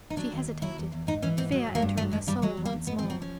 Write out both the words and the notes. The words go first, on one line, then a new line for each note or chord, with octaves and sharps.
She hesitated, fear entering her soul once more.
D#4
F#3 D4
D#2
D#2
F#3 E4
E2
E2
G#2 D#4
E3 C#4
G#2 C4
F#3
G2
A#3
G2
F#3 A3
G2 G#3
G2 G3
F#3 G#3
E2
A#3
E2
G#2 B3
C4
F3
C4
C#4